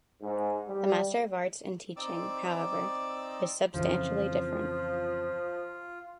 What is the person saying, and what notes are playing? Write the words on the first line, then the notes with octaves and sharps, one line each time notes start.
The Master of Arts in Teaching, however, is substantially different.
G#2
G3
C4 D#4 D5 D6 E6
F2 C#3 E3 F3 F4